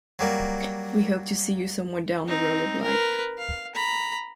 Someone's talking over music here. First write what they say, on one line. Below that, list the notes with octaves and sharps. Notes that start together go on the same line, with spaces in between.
We hope to see you somewhere down the road of life.
F#3 G3 A#3
C4 D#4
A#4 B4
F5
A#5 B5